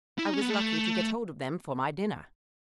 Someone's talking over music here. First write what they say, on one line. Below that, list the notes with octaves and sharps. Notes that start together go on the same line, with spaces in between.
"I was lucky to get hold of them for my dinner."
E4
D#4
C#4
B3
A3